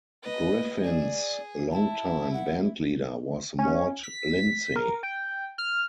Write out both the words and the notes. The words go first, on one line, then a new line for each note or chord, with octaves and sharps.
Griffin's longtime bandleader was Mort Lindsey.
B4 D#5
G#4 D5
E4 A5
F#5
C#4
B6
A#4
G5
F6